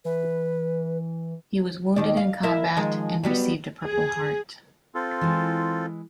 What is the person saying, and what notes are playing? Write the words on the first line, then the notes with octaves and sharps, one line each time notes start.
He was wounded in combat and received a Purple Heart.
E3 B4
D#2 D#3 D5
F5
E4 A#4 E5
D#3 F3 G#3
F#3 G3 B3
G#4
C4 F4 A4
E3 G#3